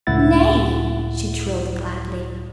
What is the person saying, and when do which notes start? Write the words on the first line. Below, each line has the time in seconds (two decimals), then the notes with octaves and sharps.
"Nay!" she trilled gladly.
0.07 C#2 A2 E4 F#5 A6